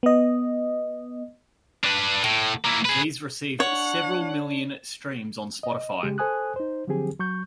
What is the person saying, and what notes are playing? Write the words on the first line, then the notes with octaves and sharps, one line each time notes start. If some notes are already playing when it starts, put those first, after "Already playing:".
These received several million streams on Spotify.
B3 D#5
D4 B4
A2
A#3 E4
G#4 B4
D4 C#5 F#5
D#5
C#3 G#3 G4
A4 C5 G#5 D#6 F#6
D#4 C5
D3 F3 F#3 C4 G4 G#4
F#3 C#6 G6